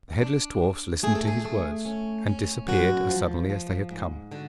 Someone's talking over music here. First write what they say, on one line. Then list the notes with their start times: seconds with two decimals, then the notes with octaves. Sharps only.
The headless dwarfs listened to his words and disappeared as suddenly as they had come.
0.22 D4
0.63 D4
1.03 A3 G#4
1.15 A4
1.27 G#4
1.45 A3
1.85 C#4
2.26 C#4
2.68 F#2 F#4
3.09 F3
3.50 F3
3.91 G#2
4.32 D3 F#4